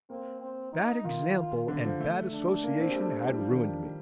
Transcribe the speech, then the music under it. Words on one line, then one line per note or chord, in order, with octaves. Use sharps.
Bad example and bad association had ruined me.
A#3 C4
C4
D#4
D#3 F4
D3
F3
A3
D4
A#3
C4
G3
A3
G3 D4
F3
D#3